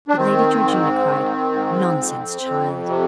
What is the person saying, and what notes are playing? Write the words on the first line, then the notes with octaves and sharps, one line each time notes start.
But Lady Georgina cried, 'Nonsense, child!
D4
D#3 C4
G#2
D#3
G#2
F2
F2
C3